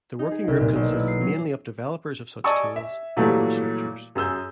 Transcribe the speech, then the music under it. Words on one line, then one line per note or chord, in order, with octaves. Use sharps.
The working group consists mainly of developers of such tools and researchers.
D#4
G#4
C2
A#2
B1
E4
C7
F#3
D5 D#5 G#5 A5 C#6 E6
E5
A#2 E3 F#3 G3 A3 A#3
F#2 G#4 E6 G6